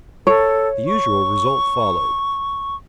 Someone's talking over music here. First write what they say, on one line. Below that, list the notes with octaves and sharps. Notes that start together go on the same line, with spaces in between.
The usual result followed.
A4 C#5
C#6